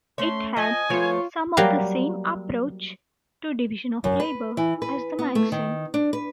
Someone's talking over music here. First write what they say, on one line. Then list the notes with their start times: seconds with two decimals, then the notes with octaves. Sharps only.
It had some of the same approach to division of labour as the magazine.
0.18 A3 C#4 C#5 C6
0.57 F3 D#5 G#5
0.90 F3 A3 B3 F4 C#5
1.57 F#3 G3 A#3 G4 F5
4.04 F#2
4.20 B4
4.57 E3
4.82 B4
5.19 B3
5.35 A3
5.52 D#3
5.94 D4
6.13 B4